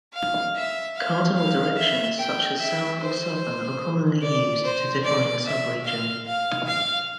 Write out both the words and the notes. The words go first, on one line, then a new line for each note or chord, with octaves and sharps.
Cardinal directions, such as south or southern, are commonly used to define a subregion.
F5
E5
F5
F5
E5
G5
E5
C5
D5
C5
D5
E5
F5
F5
F5